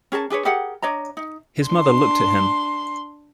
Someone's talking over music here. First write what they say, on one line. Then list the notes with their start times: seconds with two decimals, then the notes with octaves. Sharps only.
His mother looked at him.
0.12 C#4 G#4 A#4 A5
0.30 D4 G#4 B4 C#5
0.45 G4 G#4 A#4 F#5
0.82 D4 C#5 D#5 A#5
1.17 D#4
1.67 D4 C6